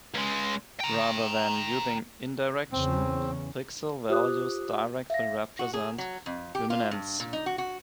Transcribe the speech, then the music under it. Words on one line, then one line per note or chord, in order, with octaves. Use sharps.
Rather than using indirection, pixel values directly represent Luminance.
C#2 G#3
G5 A#5
E2 C#3 C4 C#4
F4 G4 C5 D6 D#6 F#6
E5 F5 A#6
F#4
G#4
F#3
F2
G4
F4
G2
A#2
D#4
F#4
F#4